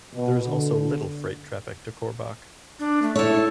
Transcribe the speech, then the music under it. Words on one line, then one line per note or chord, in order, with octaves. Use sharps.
There is also little freight traffic to Korbach.
B2
D3
D4
A3
E4 A4 C#5